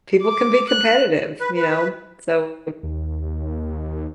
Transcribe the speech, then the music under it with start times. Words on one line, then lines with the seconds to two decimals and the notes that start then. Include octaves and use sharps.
people can be competitive, you know, so,
0.23 D6
0.70 F#6
1.40 B4
1.56 B4
2.83 D#2